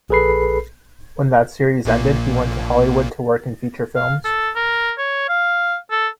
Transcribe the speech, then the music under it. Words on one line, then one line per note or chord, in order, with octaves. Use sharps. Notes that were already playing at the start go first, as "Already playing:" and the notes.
When that series ended, he went to Hollywood to work in feature films.
A#1 G#4 A4 B4 B5 C7
A#1 A#2 A#3
F5
A4
A#4
C#5
F5
A4